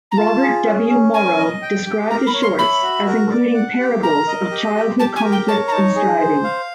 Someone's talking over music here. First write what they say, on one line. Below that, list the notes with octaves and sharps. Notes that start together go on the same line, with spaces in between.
Robert W. Morrow described the shorts as including parables of childhood conflict and striving.
A#5
F4 A5
G#4
C#4
C#4
A#4 G#5
D#5
G5
G4
A#4 A#5
B5
C#5
C6
E5 B5
F#4
A#4
D5
F#5
G4
A#4 A#5
D#5
G4
G4
G4 A5
G#5
A#4
G5
C#5 A5
A#5
D#4 A5
G#4
C5
F5